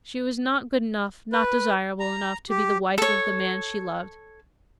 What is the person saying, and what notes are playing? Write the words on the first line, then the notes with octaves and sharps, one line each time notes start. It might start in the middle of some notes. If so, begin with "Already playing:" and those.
She was not good enough, not desirable enough, to be the wife of the man she loved.
B4
A#5
G4
A4 C#5